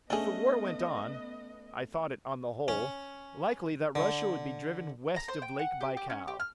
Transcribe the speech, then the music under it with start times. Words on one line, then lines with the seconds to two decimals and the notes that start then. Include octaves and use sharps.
If the war went on, I thought it, on the whole, likely that Russia would be driven west of Lake Baikal.
0.10 A3 B3 C#4 D4 G#4 D#5
2.68 C#4
3.95 D3
5.16 A#5
5.28 C5
5.42 G5
5.59 F#5
5.81 G4
5.97 G4
6.10 C#4
6.28 G4
6.40 F6